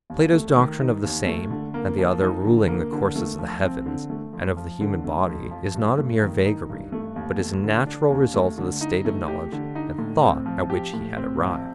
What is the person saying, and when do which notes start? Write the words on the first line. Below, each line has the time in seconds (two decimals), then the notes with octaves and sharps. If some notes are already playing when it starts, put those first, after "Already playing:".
Plato's doctrine of the same and the other ruling the courses of the heavens and of the human body is not a mere vagary, but is a natural result of the state of knowledge and thought at which he had arrived.
0.10 D#2
0.33 A3
0.56 D#3
0.80 D#4
1.04 D#2
1.26 A3
1.50 D3
1.74 A#3
1.98 F3
2.22 D#4
2.45 D3
2.68 A#3
2.92 D3
3.16 A3
3.39 F3
3.63 C4
3.86 D3
4.10 A3
4.33 F2
4.57 F3
4.81 D3
5.04 A3
5.27 F2
5.51 F3
5.75 G2
5.98 A3
6.22 D#3
6.46 D#4
6.70 G2
6.92 A3
7.16 D#2
7.39 A3
7.64 D3
7.87 D4
8.10 D#2
8.34 A3
8.58 D3
8.81 D#4
9.05 A3
9.28 G4
9.52 D3
9.75 D#4
9.99 A2
10.23 C4
10.46 F3
10.70 G4
10.94 A2
11.17 C4
11.40 A#1